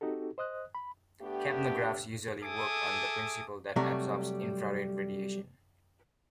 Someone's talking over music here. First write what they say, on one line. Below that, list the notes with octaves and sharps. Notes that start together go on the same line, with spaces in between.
Capnographs usually work on the principle that absorbs infrared radiation.
C4 D#4 F#4 G4 A4
C5 D#5 D#6 F#6
B5
A3 B3 D4 G4
G#4 A4 E5 G#5 D6 D#6
C3 F#3 G3 A3